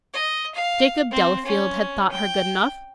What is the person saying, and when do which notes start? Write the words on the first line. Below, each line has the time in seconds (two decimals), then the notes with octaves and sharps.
Jacob Delafield had thought her good enough!
0.13 D#5
0.55 F5
1.11 C4
1.46 C#4
2.12 G5